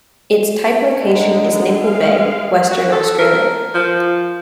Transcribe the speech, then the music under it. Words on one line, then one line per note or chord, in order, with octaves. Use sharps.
Its type location is Nicol Bay, Western Australia.
G#2 D3 G#3 F#5 A#5
G#3 F5
F#4
A4
A#4
F3